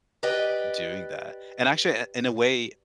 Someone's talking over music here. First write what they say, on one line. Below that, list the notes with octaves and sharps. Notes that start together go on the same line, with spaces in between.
doing that. And actually, i in a way,
G4 B4 D5 D#5 G5